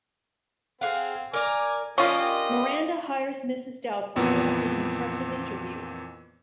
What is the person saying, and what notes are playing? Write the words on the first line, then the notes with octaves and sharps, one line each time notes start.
Miranda hires Mrs. Doubtfire after the impressive interview.
C4 G#4 F5 F#5
A#4 D5 G#5 A#5 D6
F3 A#3 C#4 D4 F4 A#4 D#5
G4 D#5
F2 A#2 E3 B3